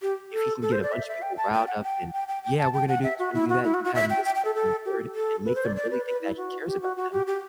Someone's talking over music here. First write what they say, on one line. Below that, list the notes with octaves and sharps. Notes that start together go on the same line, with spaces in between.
if he can get a bunch of people riled up and, "Yeah, we're gonna do this, we're gonna do that, do that and this and third," and make them really think that he cares about them,
G4
A4
A4
C5
D5
E5
E5
G5
A5
G5
F#5
G5
G5
G5
G5
A5
G5
F#5
E5
F#4
E4
F#4
E4
F#4
F#4
E5
G5
G5
G5
A4
A4
G4
A4
B4
C5
D5
D5
B4
B4
E4
F#4
G4
F#4
F#4
G4
G4